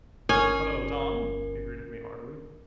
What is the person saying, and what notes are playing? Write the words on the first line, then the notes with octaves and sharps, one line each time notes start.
"Hello, Tom," he greeted me heartily.
G1 C#4 A#4 G#5